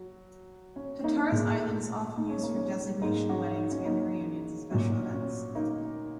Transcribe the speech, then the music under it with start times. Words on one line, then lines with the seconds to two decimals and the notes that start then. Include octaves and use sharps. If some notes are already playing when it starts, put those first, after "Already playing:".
Hatteras Island is often used for destination weddings, family reunions, and special events.
Already playing: F#3
0.76 C#4
1.04 A#3 D#4
1.32 A#2 G#3 A#3
2.17 D#4
2.30 C#4
2.43 A#3
2.56 C#4
3.02 G#2 G#3 A#3 D#4
3.29 C#4 F#4
3.58 D#4
3.72 C#4
3.85 A#3 D#4
4.71 A#2 F#3 C#4
5.13 C#4
5.55 A#3 D#4